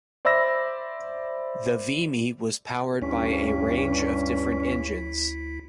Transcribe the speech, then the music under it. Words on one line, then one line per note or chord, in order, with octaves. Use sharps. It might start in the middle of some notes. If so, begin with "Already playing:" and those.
The Vimy was powered by a range of different engines.
C5 D5 E5 B5 E6 A#6
D2 G2 C#4 E4 B6